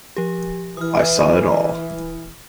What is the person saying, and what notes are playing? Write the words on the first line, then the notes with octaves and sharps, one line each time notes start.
I saw it all.
F3 G4
E3 D#6 F6